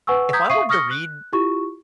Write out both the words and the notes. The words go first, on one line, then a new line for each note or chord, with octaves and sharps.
If I wanted to read,
B4 F#5 G#5 C#6 E6
A#5 D#6 G6 G#6 B6
E5 F5 C#6 D#6 C7 D#7
C#6 D#6 F6 A#6 C#7 G7
F#6
E4 F4 G4 C#6